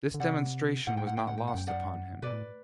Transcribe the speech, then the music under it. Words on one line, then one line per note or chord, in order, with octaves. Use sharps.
This demonstration was not lost upon him.
D3
C3 D5 F#5
A2 F#5
G5
F#5
G5
F#5
G5
F#5
F#2 G5
D5 F#5
B2 B4 D5
A2